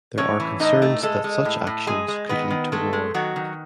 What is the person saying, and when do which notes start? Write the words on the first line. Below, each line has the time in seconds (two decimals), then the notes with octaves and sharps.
There are concerns that such actions could lead to war.
0.18 A2 C#4 C#5
0.40 E3
0.60 A2 D#4 D#5
0.82 A3
1.02 G#3 A4 A5
1.24 G#3
1.45 A2
1.67 A2
1.87 G#3 G#4 G#5
2.08 G#3
2.29 D#3 B3 B4
2.50 D#3
2.72 G#3 A3 A4
2.93 G#3
3.14 D#3 F#3 F#4
3.36 D#3